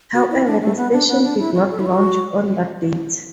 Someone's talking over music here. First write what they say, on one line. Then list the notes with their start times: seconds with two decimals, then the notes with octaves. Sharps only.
However, the station did not launch on that date.
0.14 F#4
0.30 E4
0.46 D4
0.61 A3
0.77 B3
0.93 D4
1.08 B3
1.24 D4
1.39 E4
1.55 F#4
1.70 A4
1.80 E4
1.86 F#4